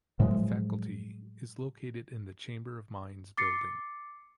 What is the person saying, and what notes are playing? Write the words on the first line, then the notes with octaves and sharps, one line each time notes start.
The Faculty is located in the Chamber of Mines Building.
A2 F3 F#3 G#3
D6 A6 C7 C#7